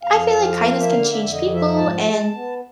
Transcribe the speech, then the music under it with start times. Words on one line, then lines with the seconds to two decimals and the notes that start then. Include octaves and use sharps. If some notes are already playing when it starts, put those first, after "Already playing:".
I feel like kindness can change people, and
0.03 F2 F5
0.32 F3
0.61 A#3
0.80 E5
0.89 D3 F5
1.12 E5
1.19 F2
1.33 D#5
1.47 F3
1.54 E5
1.76 G#2 A5
2.05 G#3
2.34 B3